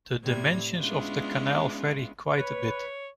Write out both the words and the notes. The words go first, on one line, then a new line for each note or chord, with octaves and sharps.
The dimensions of the canal vary quite a bit.
A2 C3 G3 G#6
G#3 B3 C#4 D4 E4 F4
B4 C#5